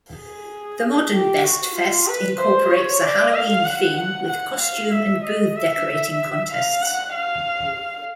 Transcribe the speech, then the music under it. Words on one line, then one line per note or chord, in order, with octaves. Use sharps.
The modern Best Fest incorporates a Halloween theme with costume and booth-decorating contests.
G#4
G4
F#4
F4
B4
C5
C#5
D5
F5
F#5
F#5
F#5
F5
E5
D#5
E5
F5
F#5
F5